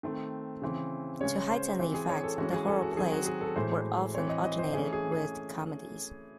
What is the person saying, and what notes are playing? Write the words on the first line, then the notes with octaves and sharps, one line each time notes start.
To heighten the effect, the horror plays were often alternated with comedies.
D#3 A3 C4
C#3 E3 C4
C#3 G#3 C#4 C#5
C5
E3 C4
G#4
C#5
A4
E3 G#3 C#4 F#4
G#4
A4
F#4
A4
D#3 F#3 C4 G#4
F#4
G#4
A4
A2 E3 G#3 C5
E3 C4 C#5
D#5
D#5
C5
E3 A3 C#4 G#4
G#4
G#4